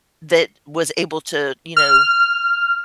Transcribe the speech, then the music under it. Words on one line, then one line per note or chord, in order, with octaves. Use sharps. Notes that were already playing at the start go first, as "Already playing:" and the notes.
that was able to, you know,
F6